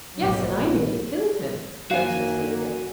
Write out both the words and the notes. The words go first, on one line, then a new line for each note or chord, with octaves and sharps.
"Yes, and I nearly killed him," blurted Tavia.
A#1 G2 B2 F#3
F#2 D#3 A#3 F#4 F5 G#5